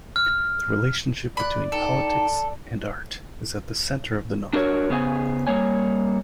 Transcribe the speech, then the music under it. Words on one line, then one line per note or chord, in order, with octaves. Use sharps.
The relationship between politics and art is at the center of the novel.
F6
D5 B5 F#6
D#4 A4 G5 A5
D4 F#4 A#4 C#5
C#3 B3 G#4 C5 C#5 G#5
G3 A#3 C#5 G#5